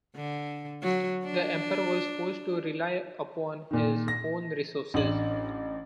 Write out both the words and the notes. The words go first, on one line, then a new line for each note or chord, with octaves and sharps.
The emperor was forced to rely upon his own resources.
D3
F#3
D4
A#2 D#3
A#6
A1 D4 F#7